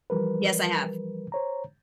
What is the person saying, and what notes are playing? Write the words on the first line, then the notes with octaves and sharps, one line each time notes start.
Yes, I have.
E3 F3 G3 A#4 B4
C5 C#5 A#5